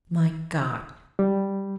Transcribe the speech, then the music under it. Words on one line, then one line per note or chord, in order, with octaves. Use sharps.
My God!
G3